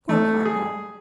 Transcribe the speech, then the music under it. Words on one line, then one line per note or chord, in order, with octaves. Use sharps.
Poor cardinal!
A3
G#4